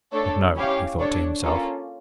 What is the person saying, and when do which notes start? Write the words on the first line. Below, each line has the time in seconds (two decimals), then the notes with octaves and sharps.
'But no,' he thought to himself.
0.12 A3 D4 A4 C#5
0.56 C#4 E4 G4 C#5 F5
0.99 D4 A4 C#5
1.44 A#3 C#4 F4 A4